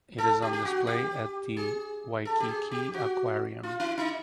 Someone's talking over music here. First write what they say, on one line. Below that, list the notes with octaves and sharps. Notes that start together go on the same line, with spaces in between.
It is on display at the Waikiki Aquarium.
A4
G4
G4
F#4
G4
G#4
A4
G4
G#4
G4
F#4
F4
E4
D#4